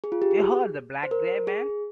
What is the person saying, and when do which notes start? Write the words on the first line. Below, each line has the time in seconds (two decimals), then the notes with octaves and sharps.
'Behold the black gray man!'.
0.04 G#4
0.12 F4
0.22 G4
0.31 G#4
1.03 C5
1.11 A#4
1.47 G#4